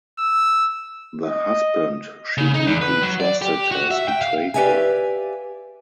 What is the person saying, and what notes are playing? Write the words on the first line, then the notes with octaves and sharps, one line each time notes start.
The husband she deeply trusted has betrayed her.
E6
D#5
C#3
D#4
E2
B4
F#3
D5
G4
F#4
E5
G5
F5
G4 B4 D5 E5 F5 G#5